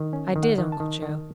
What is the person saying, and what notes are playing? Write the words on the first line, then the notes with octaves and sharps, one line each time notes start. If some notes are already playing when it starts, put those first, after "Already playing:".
"I did, Uncle Joe."
Already playing: D#3
C#4
D#3
F#5
D#3
A5
D#3
D#3